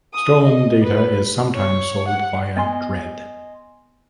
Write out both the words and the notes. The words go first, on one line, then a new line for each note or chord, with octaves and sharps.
Stolen data is sometimes sold via Dread.
D#6
D#5
B4
C#5
F#5
B3 D#5 G#5 C6